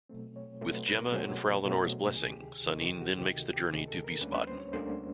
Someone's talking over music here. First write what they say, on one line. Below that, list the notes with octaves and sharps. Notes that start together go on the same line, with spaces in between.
With Gemma and Frau Lenore's blessing, Sanin then makes the journey to Wiesbaden.
B2 F#3 A3 C4
C#5
B2 F#3 A3 C4 C5
B4
B4
A#4
B2 F#3 A3 C4 G#4
B2 F#3 A3 C4
D2 C3 D#3 G#4
G4
D2 C3 D#3 A4
G4
F#4
D2 C3 D#3 G4
G4
D2 C3 D#3 G#4
A4
A#4
D2 D3 G3 A#3 C#4 B4
B4
C5
C#5
D2 D3 G3 A#3 C#4 C5